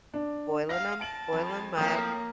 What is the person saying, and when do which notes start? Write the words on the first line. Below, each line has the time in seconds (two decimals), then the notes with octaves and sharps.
boiling ‘em boil ‘em up,
0.14 D4
0.69 F5 A#6
1.01 A5 D7 F#7
1.33 F2
1.77 A2 F3 A#3 C4 D#6